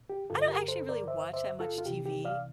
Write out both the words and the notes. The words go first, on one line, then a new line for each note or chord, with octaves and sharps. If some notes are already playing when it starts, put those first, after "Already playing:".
I don't actually really watch that much TV.
Already playing: C2 A#2
G4
G2 D3 F4 A4
G4 A#4
A4 C5
A#4 D5
C5 E5
C5 E5
F4 A4
F4
C2 C3 E3 G4
G4
D5 F5